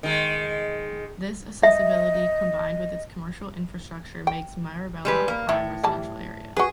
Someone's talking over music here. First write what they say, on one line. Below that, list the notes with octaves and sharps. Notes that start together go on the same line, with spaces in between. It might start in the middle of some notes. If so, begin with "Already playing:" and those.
This accessibility combined with its commercial infrastructure makes Marabella a prime residential area.
D#3 G#3
D#5 E5
G5
G3 G#3 B4
A#3
A2 E4
E3 G3 A5
F#4 G#4 B4